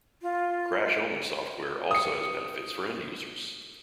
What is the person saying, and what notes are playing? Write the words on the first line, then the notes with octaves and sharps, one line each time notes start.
Crash-only software also has benefits for end-users.
F4
D#6 C#7